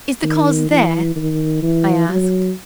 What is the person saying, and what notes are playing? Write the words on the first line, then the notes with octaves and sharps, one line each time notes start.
"Is the cause there?" I asked.
D#3
E3
D#3
E3
F#3